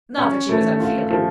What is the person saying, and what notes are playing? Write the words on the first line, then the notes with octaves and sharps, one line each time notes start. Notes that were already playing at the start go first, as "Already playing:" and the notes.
Not that she was unfeeling.
C#4
A3
F4
F3